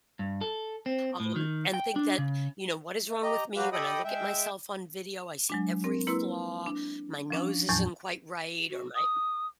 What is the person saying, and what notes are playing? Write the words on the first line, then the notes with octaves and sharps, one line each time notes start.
um, and think that, you know, "What is wrong with me when I look at myself on video? I see every flaw. My nose isn't quite right or my"
G2
A4
C4
A2
D#3
G5
D4
C#3
A3
G4 D#5 A#5
F#3 F#4 G4 B4 F5
G4 A4 D#5 G5 B5 D#6
G#3 E5 G5
F#3 G#3 D4
C4 A#4
A#3 E4 B4 C6 E6
D4
F3 C#4 D4
E2 A2 F3 F#3 A5 G6
F#4
D#6